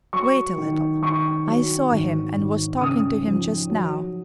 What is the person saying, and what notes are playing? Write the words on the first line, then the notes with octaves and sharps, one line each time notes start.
Wait a little: I saw him and was talking to him just now.
F#3 C#6
D#3
D#3 C#6
F#3
G#1
G#1
C#3 D#6
F3
F#3